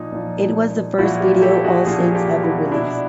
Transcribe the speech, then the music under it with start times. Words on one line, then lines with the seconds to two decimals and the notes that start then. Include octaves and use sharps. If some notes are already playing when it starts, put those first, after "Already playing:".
It was the first video All Saints ever released.
Already playing: A#2 F3 D#4
0.12 A#2 F3
0.98 A#2 F3 E4 F#4
1.20 F4 G4
1.42 G4 A4
1.64 F#4 G#4
1.85 A#2 F3 F#4 G#4
2.15 F4 G4
2.43 E4 F#4
2.72 B2 D4 E4